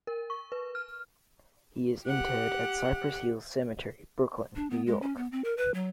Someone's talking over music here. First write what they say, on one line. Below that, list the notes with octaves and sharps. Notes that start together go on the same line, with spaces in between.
He is interred at Cypress Hills Cemetery, Brooklyn, New York.
A#4
C#6
B4
F6
G4 F#5
D4
B3
G#3
C#4
B3
C4
A#4
B4
F#3